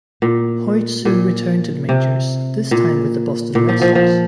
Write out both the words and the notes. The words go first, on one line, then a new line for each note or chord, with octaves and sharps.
Hoyt soon returned to the majors, this time with the Boston Red Sox.
A#2
A#2
C3
A#2
A#2
F3
F3
F3